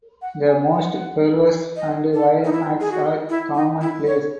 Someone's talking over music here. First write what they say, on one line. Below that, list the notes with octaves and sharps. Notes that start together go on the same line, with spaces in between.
The most perverse and violent acts are commonplace.
F#5
G#5
F#5
D#5
A4
D#4
E4
G#4
F#4
E4
D#4
E4
C#5